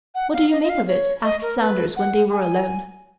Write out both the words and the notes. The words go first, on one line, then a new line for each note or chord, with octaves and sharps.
"What do you make of it?" asked Saunders when they were alone.
F#5
F5
D#5
D#5
F5
C#5
D#5
A#4
B4
F#5
G#5